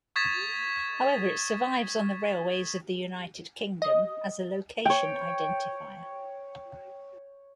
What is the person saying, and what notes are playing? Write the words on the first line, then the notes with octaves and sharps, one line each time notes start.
However it survives on the railways of the United Kingdom as a location identifier.
C#6 D#6 G#6 A6 B6 E7
D#5
C#5 G5